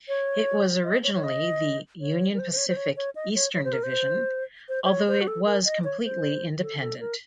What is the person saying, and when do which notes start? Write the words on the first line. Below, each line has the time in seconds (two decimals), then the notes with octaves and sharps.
It was originally the "Union Pacific, Eastern Division", although it was completely independent.
0.08 C#5
0.84 D#5
1.03 C#5
1.14 C#5
1.24 D#5
2.01 C#5
2.34 A#4
2.39 C5
2.52 C5
2.57 C#5
2.68 C5
2.76 C#5
2.97 C#5
3.15 D#5
3.35 C#5
3.54 C#5
3.64 C5
3.73 A#4
3.83 C5
4.69 C5
4.84 C5
4.88 C#5
5.08 C5
5.21 F#4
5.27 A4
5.46 A#4
5.65 D#5
5.84 C#5
6.04 C5
6.62 A4
6.81 A4
7.00 A#4